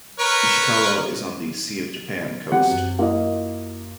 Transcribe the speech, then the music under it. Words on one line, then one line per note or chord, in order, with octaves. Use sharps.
Ishikawa is on the Sea of Japan coast.
A#4 B4 C#5
F#3 C4 G4 F#5
F#2
A#3 E4 F4 D#5